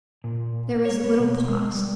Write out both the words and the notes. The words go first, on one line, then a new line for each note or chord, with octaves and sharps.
There was a little pause.
A#2
C#5
B3
B2
G#3
G3